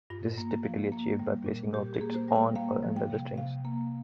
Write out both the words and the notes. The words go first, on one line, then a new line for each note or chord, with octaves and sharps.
This is typically achieved by placing objects on or under the strings.
G2 F4
A#3
F3
A#3
G3
A#2
A#2 G4
G#4
A#3
C5
G3
G5
A#3 F5
F3
G5
C3
C3 F5
A#3